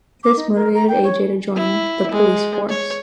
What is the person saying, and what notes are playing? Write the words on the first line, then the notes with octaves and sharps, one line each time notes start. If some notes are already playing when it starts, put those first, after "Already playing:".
This motivated Ajay to join the police force.
D6
D#4
A#4
A#5
G5
C#5
E4
G#3
C#5